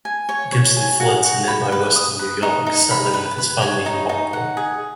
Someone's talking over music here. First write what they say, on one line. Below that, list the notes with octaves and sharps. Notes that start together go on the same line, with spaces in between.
Gibson fled to nearby western New York, settling with his family in Lockport.
G#5
C#5
C#5
G#5
F#4
F#4
B5
B4
D#6
B4
D#4
D#4
B5
B4
B4
C#5
D#4
D#4
F#5
G#4